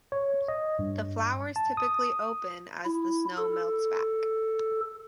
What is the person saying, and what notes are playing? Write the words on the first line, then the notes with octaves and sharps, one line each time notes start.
The flowers typically open as the snow melts back.
C#5
D#5
G2
A5
D#6
E4
A4